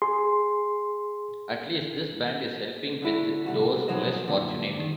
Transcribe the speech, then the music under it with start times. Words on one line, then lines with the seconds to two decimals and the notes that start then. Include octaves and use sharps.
At least this band is helping with those less fortunate.
0.02 G#4 C6
3.02 D3 E4
3.46 C2 F#2 G3 F#4
3.88 B2 F3 F#3 D#4 C5 D#5
4.28 F#2 A#2 D3
4.79 D#3